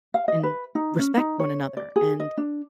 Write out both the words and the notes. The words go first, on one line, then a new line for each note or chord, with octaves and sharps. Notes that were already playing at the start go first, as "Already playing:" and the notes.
and respect one another, and
F5
D#5
B4
D#4
C#4
D#4
C#5
D5
G#4
D#5
D4